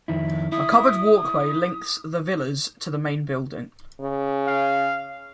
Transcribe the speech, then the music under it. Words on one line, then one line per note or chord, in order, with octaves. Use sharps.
A covered walkway links the Villas to the main building.
F2 D#3 E4
E4 D#6
C#3
F5